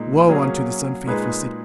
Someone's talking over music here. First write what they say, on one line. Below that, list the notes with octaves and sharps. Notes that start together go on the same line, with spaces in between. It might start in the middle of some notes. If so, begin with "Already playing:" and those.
Woe unto this unfaithful city!
Already playing: A#2 G#3 D#4
F#3 A#3 C#4 G#4
A#2 G#3 D#4 G#4 B4